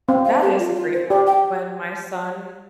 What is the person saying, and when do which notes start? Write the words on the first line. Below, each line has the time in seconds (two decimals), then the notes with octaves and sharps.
That is a great one. When my son
0.08 C4 F5
0.25 F5
0.42 G4
0.59 F4
0.76 F4
0.93 C5
1.10 G4 D5
1.27 G5